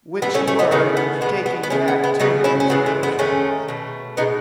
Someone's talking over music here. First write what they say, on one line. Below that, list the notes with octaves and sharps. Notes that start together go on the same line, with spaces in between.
"Which you are taking back to him?" said d'Artagnan.
A2 E3 A3 B3
A3 C#4
A3 C#4
B3 D#4
C#3 E3 A3 B3 D#4
B3
B2 G#3 B3
B3
B3
C#3 G#3 A3 C#4
B3
B3
C#3 F#3 A3 B3 D#4
C#4 E4
C#4
C#3 E3 G#3 B3
A3
B3
D#3 G#3 A3 C#4
B2 A3
B2 G#3 B3 D#4